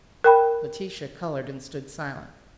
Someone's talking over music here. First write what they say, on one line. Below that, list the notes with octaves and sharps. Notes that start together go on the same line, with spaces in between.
Laetitia coloured and stood silent.
A#4 G5 B5